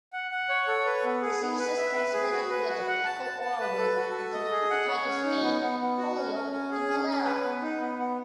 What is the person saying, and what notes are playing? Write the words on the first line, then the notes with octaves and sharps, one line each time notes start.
Diseases transmitted via the fecal-oral route include hepatitis A, polio, and cholera.
F#5
F#5
C#5
A4
B4
B3
G#4
B3
B4
E5
B4
G#4
F#4
B4
F#4
F#5
A5
A5
A5
B4
A4
F#4
A4
D#5
G#4
F#5
C#5
C#4
D#4
B3
B3
B3
F#4
C#4
C#4
C#4
G#4
C#4
C#4
B4
B3
D#4
B3
B3